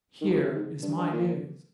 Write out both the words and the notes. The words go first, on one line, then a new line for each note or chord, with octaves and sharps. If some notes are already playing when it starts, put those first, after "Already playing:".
Here is my news.
D#3
C3
C3
G#2
G2
G2
A#2